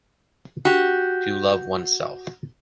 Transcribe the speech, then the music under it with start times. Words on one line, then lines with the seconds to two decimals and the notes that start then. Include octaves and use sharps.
To love oneself.
0.65 F#4 G4